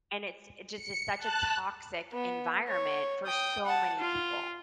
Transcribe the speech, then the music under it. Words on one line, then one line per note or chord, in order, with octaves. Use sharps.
And it's it just is such a toxic environment for so many people.
C#7
A5 F#6
B3
C#5
G5 D#6
F#5 A5
F4